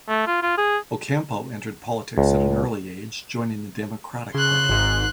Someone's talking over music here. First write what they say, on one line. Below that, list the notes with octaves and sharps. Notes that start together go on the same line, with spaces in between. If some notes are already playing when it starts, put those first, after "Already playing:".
Ocampo entered politics at an early age, joining the Democratic Party.
A3
F4
F4
G#4
C#2
C#3 C6 F#6
G#1 G#2